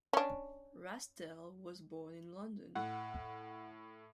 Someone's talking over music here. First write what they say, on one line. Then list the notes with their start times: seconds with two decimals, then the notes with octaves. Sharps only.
Rastell was born in London.
0.13 C#4 D4
2.75 A2 F#5